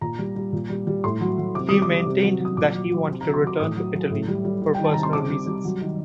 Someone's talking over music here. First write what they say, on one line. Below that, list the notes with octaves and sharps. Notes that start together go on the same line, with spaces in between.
He maintained that he wanted to return to Italy for personal reasons.
A#2 A#5
G3
G3
A#2
G3
G3
A2 C6
F#3
F#3
C3 D6
G3 D#6
D6
G3
C3
F#3
F#3 D#6
A#2 D6
F#3
F#3
C3
F#3 A#5
C6
F#3 D6
A2 D#6
F#3
F#3
A2
G3
G3
G3
D#3 G5
A5
C3 A#5
C6
C3 D6
G3
G3
F#3
D#3